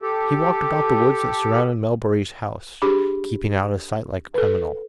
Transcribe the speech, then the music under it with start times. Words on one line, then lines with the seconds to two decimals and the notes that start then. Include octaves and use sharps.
He walked about the woods that surrounded Melbury's house, keeping out of sight like a criminal.
0.02 G4 A4
2.82 D4 G4 G#4 B5 D6
4.34 A4 B4